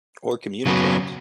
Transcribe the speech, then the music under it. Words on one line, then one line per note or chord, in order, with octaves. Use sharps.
Or communicate.
C#3 F#3 B3